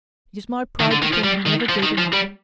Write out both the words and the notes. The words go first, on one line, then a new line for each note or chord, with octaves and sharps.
It is my pride to think I never gave him up.
D#3
D3
D#3
F3
G3
D#3
F3
D#3
F3
G3